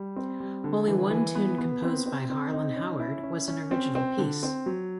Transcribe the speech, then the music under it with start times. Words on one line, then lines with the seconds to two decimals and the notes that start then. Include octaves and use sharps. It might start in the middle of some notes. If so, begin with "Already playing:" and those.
Only one tune composed by Harlan Howard was an original piece.
Already playing: G3
0.16 C4
0.40 G3
0.64 D3
0.88 E3
1.10 E3
1.35 B3
1.58 B3
1.83 C4
2.06 C4
2.30 C4
2.52 D#4
2.76 C#4
3.00 E4
3.23 C#4
3.48 C#4
3.71 C4
3.95 C4
4.18 D3
4.43 C4
4.66 F#3